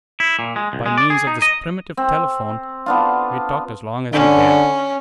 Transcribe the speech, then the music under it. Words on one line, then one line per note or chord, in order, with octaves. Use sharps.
By means of this primitive telephone we talked as long as we dared.
E4
A#2
G#3
C2
G#3
D5
G#4
D#4
D#5
C4
B3 D4 F4
D3 C#4